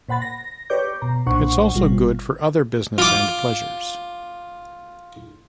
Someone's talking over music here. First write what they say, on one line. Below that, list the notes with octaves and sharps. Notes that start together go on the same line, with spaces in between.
It's also good for other business and pleasures.
A#2 C5 F#5 B5 A6
A#6
G4 B4 C#5 D5 D6 G6
B2 A#5
B1 A#2 D4 C5 F#5 C#6
G#1 B2 G3 F4
F4 D6